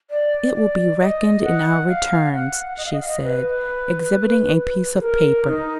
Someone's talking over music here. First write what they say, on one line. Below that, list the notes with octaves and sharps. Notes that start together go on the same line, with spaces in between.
It will be reckoned in our returns,' she said, exhibiting a piece of paper.
D5
D5
D#5
F#5
F5
F#5
D#5
F5
D#5
F5
D#5
B4
G#4
A#4
D#4